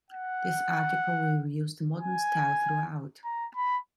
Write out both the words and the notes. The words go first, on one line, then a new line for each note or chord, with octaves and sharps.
This article will use the modern style throughout.
F#5
G#5
A#5
B5